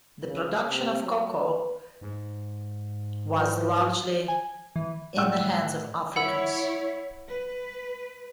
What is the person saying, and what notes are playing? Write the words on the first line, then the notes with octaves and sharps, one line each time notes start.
The production of cocoa was largely in the hands of Africans.
C#3
C3
F#3
B4
G#2
E3 F3 B4
G#5
E3
A2 G#4 F#5 G5 E6
E4 C#5 F#5 B5 E6
B4